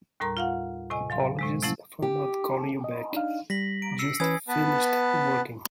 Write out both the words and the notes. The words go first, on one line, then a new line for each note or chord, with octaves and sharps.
Apologies for not calling you back. Just finished working.
D#2 A2 G3 A#4 A#5 C6
F4 F5 F#5
A2 C3 D#5 G#5
F#3 F5 C6
A2 C3 G#3
C3 F3 F#3 A3 C#4 E4
G4
D#5
D4 D#4 F5
G3 A#6 B6 F#7
D7
E6 C7 C#7
E3 C#4 B4 G#5 D#6 G#6
B3 B4 A5